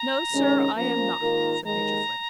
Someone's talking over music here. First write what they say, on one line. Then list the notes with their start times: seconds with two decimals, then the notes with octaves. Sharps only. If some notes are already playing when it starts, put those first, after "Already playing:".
"No, sir, I am not," said Major Flint.
Already playing: A#5
0.32 C3 D#3 G#3 C#4
0.76 F3 A#3 C#4 A#5
1.21 G#2 D#3 A#3 F4 A#4
1.64 D#2 D#3 G#3 A#5